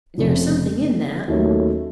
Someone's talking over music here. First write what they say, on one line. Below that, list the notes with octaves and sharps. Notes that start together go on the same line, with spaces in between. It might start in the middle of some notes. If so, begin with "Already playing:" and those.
There is something in that.
F1 F2 C#3
D#2 D#3 F#3 A3 C#4